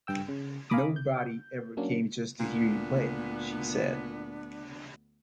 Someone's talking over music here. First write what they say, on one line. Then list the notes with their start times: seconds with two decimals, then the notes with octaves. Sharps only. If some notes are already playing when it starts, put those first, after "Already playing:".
"Nobody ever came just to hear you play," she said.
0.07 G2 G5 E6
0.28 C#3
0.70 F5 G#5 A#5 B5 D6 D#6
0.96 G6
1.77 F#3 A#3 C#4 D4
2.40 D2 A#2 B3 D4